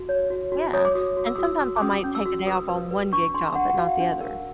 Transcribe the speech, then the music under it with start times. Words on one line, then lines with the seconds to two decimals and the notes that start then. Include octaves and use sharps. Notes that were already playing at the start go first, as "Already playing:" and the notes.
Yeah, and sometimes I might take a day off on one gig job, but not the other,
Already playing: F#4
0.09 C#5
0.30 F#4
0.52 F#4
0.74 C#5 D#6
0.85 D6
0.95 F#4 D#6
1.17 F#4
1.26 E6
1.36 F#4 D#6
1.44 E6
1.61 F#4
1.76 D6
1.82 C#4 D#6
2.04 C#4
2.15 E6
2.25 F#4
2.47 B4 D#6
2.69 B4
2.91 B4
3.13 D4 C#6
3.34 D4 C6
3.55 D4 F#5
3.70 F#5
3.78 F#4 F5
4.00 D4
4.21 A#4